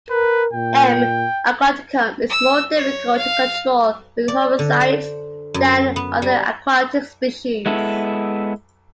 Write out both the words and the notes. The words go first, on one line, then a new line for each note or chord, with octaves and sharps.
M. aquaticum is more difficult to control with herbicides than other aquatic species.
A#4 B4
A#2 G5
E6
C#5
F5
D5
D3
C5
F#2
B3
G3
G#3 B3 E4 A4